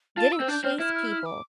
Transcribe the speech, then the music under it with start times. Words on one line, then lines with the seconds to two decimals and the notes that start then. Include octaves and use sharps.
didn't chase people
0.17 F4 A5
0.32 E6
0.40 C4
0.48 D4 G6
0.64 C4 F6
0.79 E4 F6
0.95 F6
1.11 F6
1.26 D6